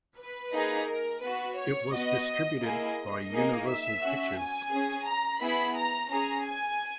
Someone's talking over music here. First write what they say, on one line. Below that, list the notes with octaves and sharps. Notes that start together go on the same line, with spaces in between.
It was distributed by Universal Pictures.
B4
A#3 D#4 G#4
A#4
B3 F#4 B4
C#5
B3 F#4 D#5
A#3 E4 G#4 D#5
A#3 D#4 G#4
E5
C#4 F#4
G#5
C#4 G#4
A#5
B3 E4 G#4 B5
A#5
C#4 G#4 A#5
G#5